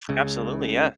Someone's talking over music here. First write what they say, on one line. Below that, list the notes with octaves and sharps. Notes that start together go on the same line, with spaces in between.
Absolutely. Yeah.
C#2 C#3